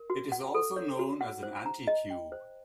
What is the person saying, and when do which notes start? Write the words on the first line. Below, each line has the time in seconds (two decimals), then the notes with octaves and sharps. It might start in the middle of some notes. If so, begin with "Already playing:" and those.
It is also known as an "anticube".
Already playing: A#4
0.10 F#4
0.32 F#5
0.55 A4
0.76 C#5
0.99 F#4
1.21 F#5
1.43 C5
1.66 A#5
1.87 D#5
2.10 G5
2.32 C5